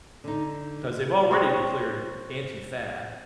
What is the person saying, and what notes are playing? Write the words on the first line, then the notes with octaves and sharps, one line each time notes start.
'Cause they've already declared Antifa,
D3 D#4
C4 C#5